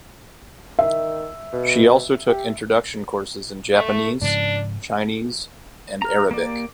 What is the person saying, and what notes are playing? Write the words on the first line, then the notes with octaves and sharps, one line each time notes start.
She also took introduction courses in Japanese, Chinese and Arabic.
D#3 E5
B2
G4
A3
G#2 C#3 F3 D4
A#5 F6
A#3 G4 D5